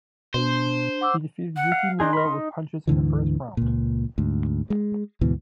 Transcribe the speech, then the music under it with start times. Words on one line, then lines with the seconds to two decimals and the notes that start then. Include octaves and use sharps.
He defeated Yuki Miwa with punches in the first round.
0.34 B2 D4 C5
1.01 F#5 D6 E6
1.56 F#5
1.72 F5
2.00 D4 D#4 G#4 C6
2.13 A#4 B5
2.26 D#4
2.87 D2 G#2 D3 E3
3.57 C#2 A#2
4.18 D2 G#2
4.70 G#3
5.21 D2 G#2 B2 E3